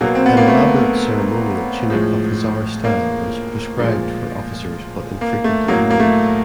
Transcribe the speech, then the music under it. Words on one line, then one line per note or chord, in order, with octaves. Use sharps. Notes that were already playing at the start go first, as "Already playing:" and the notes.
An elaborate ceremonial tunic of hussar style was prescribed for officers but infrequently worn.
B2 F#3 A#3
C4
B3
A#3
A3
A2 F3 G#3
A#3
A#2 F3 G#3
A#3
A3
A2 F#3 A#3
A#3
A3